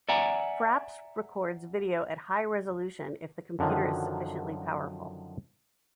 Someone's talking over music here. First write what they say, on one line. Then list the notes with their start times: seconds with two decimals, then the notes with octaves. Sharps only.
Fraps records video at high resolution if the computer is sufficiently powerful.
0.09 D5 E5 F#5 G#5 A#5
3.59 F#2 D3 D#3 F3 F#3